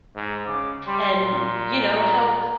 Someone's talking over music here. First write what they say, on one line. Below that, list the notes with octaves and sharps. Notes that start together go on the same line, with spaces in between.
and, you know, how
G#2
C#3 D6
G3 C6
A#2
A#5